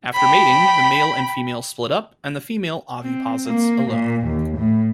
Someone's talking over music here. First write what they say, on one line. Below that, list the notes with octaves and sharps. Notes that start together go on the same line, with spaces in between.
After mating the male and female split up and the female oviposits alone.
G5 B5
C4
A#3
A#2
D#2
A2